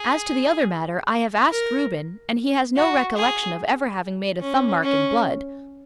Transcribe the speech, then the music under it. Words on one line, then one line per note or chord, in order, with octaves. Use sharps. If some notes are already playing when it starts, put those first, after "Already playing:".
As to the other matter, I have asked Reuben, and he has no recollection of ever having made a thumb-mark in blood.
Already playing: G#4
A#4
F#4
G#4
C#4
C#4